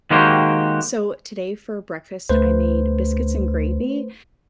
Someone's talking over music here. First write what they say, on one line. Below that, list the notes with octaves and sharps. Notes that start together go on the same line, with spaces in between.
So, today for breakfast, I made biscuits and gravy,
D#3 G#3 A#3 F#4 G4 C5
D2 A3 B4 C5